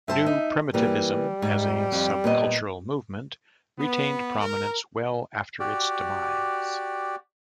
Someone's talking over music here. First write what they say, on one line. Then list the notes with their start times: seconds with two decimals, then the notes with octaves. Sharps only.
New Primitivism as a sub-cultural movement retained prominence well after its demise.
0.08 G2 C5 E5 A5
0.26 D#4
0.74 E3 G3 A#3
1.42 G#2
1.92 F2
2.24 A#2 B3 D#5
3.79 B3
4.41 A#4
5.60 F#4 G4 D5